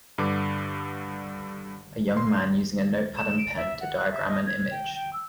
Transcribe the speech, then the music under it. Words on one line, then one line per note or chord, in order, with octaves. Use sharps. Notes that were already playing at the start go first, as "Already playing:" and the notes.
A young man using a notepad and pen to diagram an image.
G2 D3 B4 D6
C6
E7
D7
E5
F#5
F#6
E5
D#5
G#6
G5
G5
E6